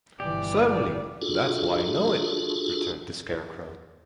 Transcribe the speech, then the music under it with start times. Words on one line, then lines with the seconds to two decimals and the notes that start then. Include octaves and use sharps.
"Certainly; that is why I know it," returned the Scarecrow.
0.20 G1 E3 G4 D5
1.22 D4 F4 F#4 G#4 A4